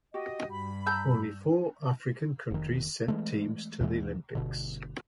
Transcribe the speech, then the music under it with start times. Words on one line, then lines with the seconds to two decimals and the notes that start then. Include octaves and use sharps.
Only four African countries have sent teams to the Olympics.
0.14 F#4 G4 D#5
0.51 G2 B5
0.86 A5 A#5 E6 G6
2.50 F1 D#3
3.08 E3 G#3 A3
3.80 D#2 B2 E3 G#3
4.35 G1 B2 D3